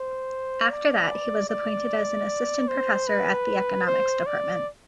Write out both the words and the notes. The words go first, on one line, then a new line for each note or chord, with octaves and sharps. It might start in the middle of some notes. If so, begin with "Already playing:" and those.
After that, he was appointed as an Assistant Professor at the Economics Department.
Already playing: C5
D5
D5
C5
B4
C5
D5